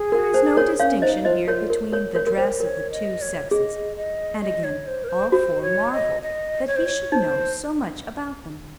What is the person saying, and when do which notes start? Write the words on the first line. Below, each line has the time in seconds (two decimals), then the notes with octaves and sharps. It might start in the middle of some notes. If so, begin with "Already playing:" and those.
"There is no distinction here between the dress of the two sexes." And again all four marveled that he should know so much about them.
Already playing: G#4
0.12 A#4
0.34 C5
0.57 A#4 C#5
0.80 C#4 C#5 F5
1.02 D#4 C5 D#5
1.25 F4 C5 D#5
1.48 F4 A#4 C#5
1.70 A#4
1.92 A#4 C#5
2.15 A#4 C#5
2.27 A#4
2.38 C5
2.60 A#4 C#5
2.91 D#5
3.21 C#5
3.51 G#4 D#5
3.96 D#5
4.41 D#5
4.64 C#5
4.87 C5
5.04 A#4
5.09 C5
5.31 F#4 C5
5.62 C#5
5.92 D#5
6.22 D#5
6.67 C#5
6.76 C5
6.86 C#5
7.12 D#4 C5